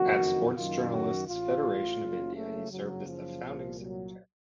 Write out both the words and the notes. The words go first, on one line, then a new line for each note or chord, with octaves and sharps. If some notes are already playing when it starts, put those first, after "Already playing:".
At Sports Journalists’ Federation of India he served as the founding secretary.
Already playing: F#1 F2 D#3 F#4
F#1 F#2 D#3 F4
F#4
A1 A2 F4
F#1 F#2 C#3
A3
F#1 F#2 C#3 F#3
F3
C2 A#2
F#3